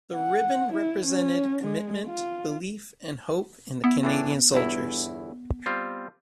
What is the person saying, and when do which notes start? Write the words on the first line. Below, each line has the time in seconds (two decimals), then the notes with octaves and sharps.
The ribbon represented commitment, belief and hope in the Canadian soldiers.
0.15 F#5
0.73 E4
1.06 C#4
1.64 G#3
2.07 F4
3.84 B3 E4
4.03 A2 E3 D4
4.52 G1 E2 E4
5.66 G3 C4 F4